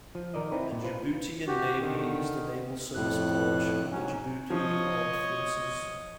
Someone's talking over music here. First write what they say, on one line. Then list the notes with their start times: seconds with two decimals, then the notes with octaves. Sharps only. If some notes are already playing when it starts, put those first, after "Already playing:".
The Djiboutian Navy is the naval service branch of the Djibouti Armed Forces.
0.15 F3
0.34 D#3 A#4 D5 D#5
0.52 C4 D#4 E4 B4
0.72 A#2
0.84 F4 B4 C5
1.47 F#4 G4
1.79 D3 D#3
2.95 F2 A2 F#6
3.91 G#2 F#3 C#4
4.50 F3 C#5 D#5